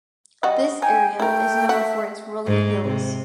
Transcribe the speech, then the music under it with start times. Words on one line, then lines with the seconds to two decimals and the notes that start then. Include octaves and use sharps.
This area is known for its rolling hills.
0.43 G3 F#4 D#5
0.82 D#4 G5 G#5
1.20 A3 E4 A#4 G5
1.69 F#4 E5
2.47 G#2
2.85 C3